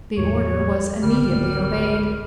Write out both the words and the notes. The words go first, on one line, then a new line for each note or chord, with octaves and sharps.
The order was immediately obeyed.
E2 A2 F3 C#5
G#1 C#2 D3 G3 A#4 F6